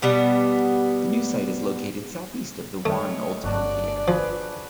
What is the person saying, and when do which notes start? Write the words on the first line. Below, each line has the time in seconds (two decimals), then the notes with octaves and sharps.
The new site is located southeast of the Warren Old Town Theater.
0.02 B2 G3 B3
2.85 A2 A3 G#4 C#5 D#5
3.44 G1 D4 F#4 D5
4.08 F3 G#4 B4